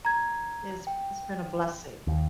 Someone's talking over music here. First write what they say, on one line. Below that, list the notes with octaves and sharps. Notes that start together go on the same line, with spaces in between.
It's it's been a blessing.
A#5 G#6
G5
D#2